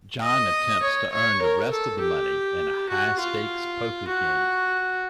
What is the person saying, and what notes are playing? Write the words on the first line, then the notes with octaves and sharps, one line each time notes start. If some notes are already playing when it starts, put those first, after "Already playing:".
John attempts to earn the rest of the money in a high-stakes poker game.
D#5
C#5
C#5
A#4
A4
G4
F#4
F4
F#4